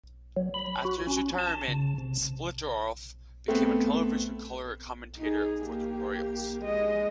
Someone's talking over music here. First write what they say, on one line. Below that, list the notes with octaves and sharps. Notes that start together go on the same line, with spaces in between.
After his retirement, Splittorff became a television color commentator for the Royals.
F#3
B5
F#4
C#4
A5
C#3
C3
A3 B3 C4
D#4 G#4
A#3 G4
G#3 D#5